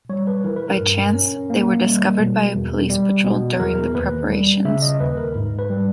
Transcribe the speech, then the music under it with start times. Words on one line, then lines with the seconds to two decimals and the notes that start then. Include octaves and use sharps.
By chance, they were discovered by a police patrol during the preparations.
0.09 G3 C#5
0.27 B4
0.44 E3 A#4
0.56 B4
0.68 A#4
0.80 G2
1.14 C#4
1.50 A#3
1.85 G3
2.20 B2
2.55 E2
2.90 G3
3.25 B2
3.60 E2 A#4
3.95 D#2 B4
4.30 G3
4.65 C#3 E5
4.82 D#5
5.00 D#2 B4
5.17 A#4
5.35 G#2
5.59 B4
5.70 G3